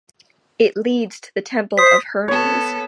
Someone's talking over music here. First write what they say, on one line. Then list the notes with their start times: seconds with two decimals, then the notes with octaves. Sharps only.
It leads to the temple of Hermes.
1.78 C5 D#6 B6
2.28 B3 A4 C#5